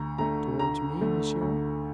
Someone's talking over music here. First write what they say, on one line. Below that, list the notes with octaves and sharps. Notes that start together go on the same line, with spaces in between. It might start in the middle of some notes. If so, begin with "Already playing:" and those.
"Towards me, monsieur?"
Already playing: D2 A#5
D3 A3 A#5
D2 A#5
D3 A3
D2